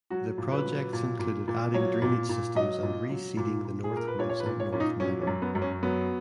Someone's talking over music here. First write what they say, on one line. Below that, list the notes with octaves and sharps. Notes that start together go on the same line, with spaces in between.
The projects included adding drainage systems and reseeding the North Woods and North Meadow.
F#3 F#4
A#2
B4
F#3
A#2
A#2
A#2
F#3 C#5
A#2
A#2
F#3 D#5
A#2
F#3
A#2
A#2
G#4
A#2
A#4
B4
A#2 C#5
C#5
B4
A#2
C#5
A#2 C#4
D#4
F#3 C#4
C#4
F#2
B3
F#2
C#4
F#3 B3